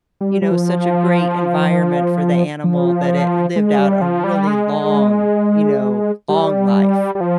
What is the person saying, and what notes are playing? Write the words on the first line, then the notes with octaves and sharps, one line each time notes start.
you know, such a great environment for the animal that it lived out a really long, you know, long life.
G3
G3
F3
F3
G#3
G3
F3
G3
G#3
G3
G3
F3